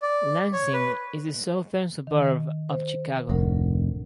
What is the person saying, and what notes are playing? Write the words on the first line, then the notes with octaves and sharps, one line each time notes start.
Lansing is a southern suburb of Chicago.
D5
C#5
B4
D#3
C5
F1 D2 A2 A#4